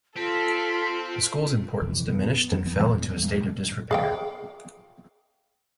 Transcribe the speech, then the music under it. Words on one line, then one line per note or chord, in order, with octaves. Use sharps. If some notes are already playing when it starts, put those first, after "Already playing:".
The school's importance diminished and fell into a state of disrepair.
C4 F4 A4 B6
F2 C3 E3
B3
F2 E3 B3
E2
G#4 F5 G5